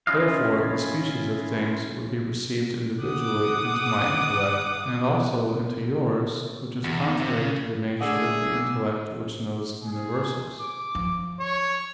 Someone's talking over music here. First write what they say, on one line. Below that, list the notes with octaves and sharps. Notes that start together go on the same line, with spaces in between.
Therefore the species of things would be received individually into my intellect, and also into yours: which is contrary to the nature of the intellect which knows universals.
C#4 E4 F4 D#5 F5
F#5 D6 D#6
E2
D#3
C3
C#3
D3 A3 G#4 E6
G#4
D6
F3
C#5